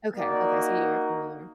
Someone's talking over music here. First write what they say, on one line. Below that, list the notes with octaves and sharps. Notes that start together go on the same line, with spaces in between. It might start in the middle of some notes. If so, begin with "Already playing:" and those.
Okay, okay, so you're familiar.
A#3 D#4 F#4 D5